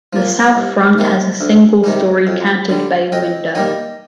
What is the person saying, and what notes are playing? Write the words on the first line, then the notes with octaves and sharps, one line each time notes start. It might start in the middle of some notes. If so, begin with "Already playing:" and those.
The south front has a single-storey canted bay window.
F3 A#3
C2
C3 D#3 A#3
D2
C3 D#3 G3
F2
D3 G3
F2 D#5 G5
D#3 G3 A#3 D#5 G5